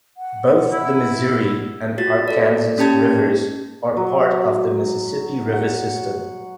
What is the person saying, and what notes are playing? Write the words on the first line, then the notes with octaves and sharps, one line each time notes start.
Both the Missouri and Arkansas rivers are part of the Mississippi River system.
F#5
E4
F4 F#4 A6
A4 D5
A#3 C#4 G4 A5 G#6
F#3
F#5